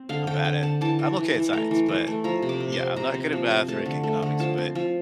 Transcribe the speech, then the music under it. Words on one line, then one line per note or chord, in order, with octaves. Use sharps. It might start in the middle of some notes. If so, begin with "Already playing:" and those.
I'm bad at I'm okay at Science, but y yeah, I'm not good at Math or Eco Economics, but
Already playing: C4
D3 F5
D3 G5
D3 G5
D3 A5
E3 A5
E3
E3
E3
A3 A#5
E3
E3
A3
F3 A#5
C3
D6
C4
C6
C4
C3 A#5
C4
F3
C4
A3 A5
D3
A3
D3
F3 A5
C4
F3